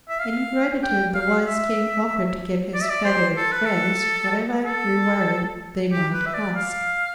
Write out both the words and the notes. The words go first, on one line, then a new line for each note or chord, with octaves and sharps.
In gratitude the wise King offered to give his feathered friends whatever reward they might ask.
E5
F5
G5
F5
E5
D5
E5
D5
C5
A4
B4
A4
A4
G4
B4
E5
D5
F5